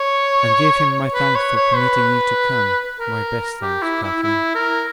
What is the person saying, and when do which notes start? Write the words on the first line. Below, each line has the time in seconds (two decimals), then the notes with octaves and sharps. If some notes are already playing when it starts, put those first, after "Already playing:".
'And give him my thanks for permitting you to come--my best thanks, Catherine.
Already playing: C#5
1.14 B4
1.35 C#5
1.56 C#5
1.76 B4
2.99 A#4
3.62 G4
3.82 E4
4.03 E4
4.23 E4
4.55 A#4